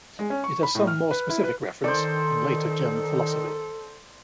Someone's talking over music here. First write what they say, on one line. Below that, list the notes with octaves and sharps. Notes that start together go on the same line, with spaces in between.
It has some more specific reference in later German philosophy.
G#3
C#4
C#6
B5
A2
F6
B4
E4
B4
D#3 A4 C5 D5